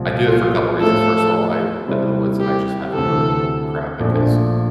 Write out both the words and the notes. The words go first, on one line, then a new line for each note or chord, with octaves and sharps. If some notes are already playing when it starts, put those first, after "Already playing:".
I do it for a couple of reasons: first of all, I live in the woods, and I just have to burn crap because
Already playing: C2 A#2 F3
F4
A2 F3 A3 A4
C3 G3 C4 E4
G4
D2 C3 E3 A4
A#1 A#2 F3 A3 D4